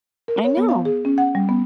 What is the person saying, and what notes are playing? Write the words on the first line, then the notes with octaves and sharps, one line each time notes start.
I know.
A#4
C#5
B3
F5
G#4
C#4
F#5
G3
B3